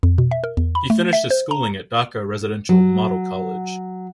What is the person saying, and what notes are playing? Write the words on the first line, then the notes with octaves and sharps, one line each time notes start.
He finished his schooling at Dhaka Residential Model College.
F2
B2
E5
A#4
E2
B5
A3
E5
C5
A#5
F#3